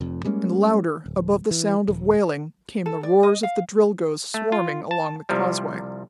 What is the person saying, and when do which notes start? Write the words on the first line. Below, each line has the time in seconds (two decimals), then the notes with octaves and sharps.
And louder above the sound of wailing came the roars of the Drilgoes swarming along the causeway.
0.01 F1 F2
0.25 G3 G#3 A#3 C#4
1.06 D1
1.51 E3
1.88 D#1
2.86 A4
3.03 D5
3.23 D#5
3.43 F5
4.34 A3
4.52 F4
4.91 A5
5.29 C2 C3 F3 G3